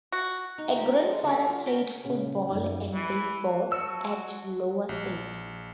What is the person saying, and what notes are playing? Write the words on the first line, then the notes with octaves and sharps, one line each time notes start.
A grandfather played football and baseball at Iowa State.
F#4
D#4
F3 G4 C5
G#3 A3
D3 G3 D4 F#4
F4
F#4 G5 A#5 B5
A#2 C#3 C#4
F#2 D#4
E3
F#3 F#4 A5 E6
A#1